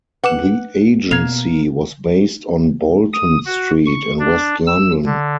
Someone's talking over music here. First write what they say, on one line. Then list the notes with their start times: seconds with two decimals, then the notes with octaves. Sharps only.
The agency was based on "Bolton Street" in west London.
0.24 B4 F#5 D6 E7
1.11 B2 A#3 G#6 C7 F7
3.13 D#6
3.46 F#4
3.86 C#6
4.19 D4
4.67 E6
5.05 D3